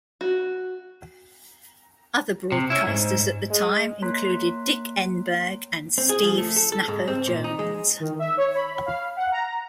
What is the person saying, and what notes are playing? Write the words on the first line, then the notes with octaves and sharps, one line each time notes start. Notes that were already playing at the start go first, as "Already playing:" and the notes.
Other broadcasters at the time included Dick Enberg and Steve "Snapper" Jones.
F#4
C3
C#4 E4
G#2
G#3
A#3 C#5 A#5 C6 F#6 B6
C4
G#4
F3
A3
A4
A4
G#2
C4
A#2
D#4
G#3
D#3
E5
C#5
B5
F5
F#5
A#5